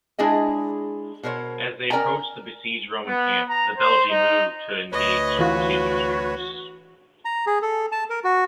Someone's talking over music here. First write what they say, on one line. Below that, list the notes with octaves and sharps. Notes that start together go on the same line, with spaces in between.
As they approached the besieged Roman camp, the Belgae moved to engage Caesar's troops.
G#3 D4 E4 G#4 D#5
B2 A#4 C5 C#5
C#4 A#4 D5 G5 G#5 A#5
B3
A#5
C5
D#4
D2 B4 C#5 D#5
E3 F4 F#4
A#5
G#4
A4
A5
A#4
F#4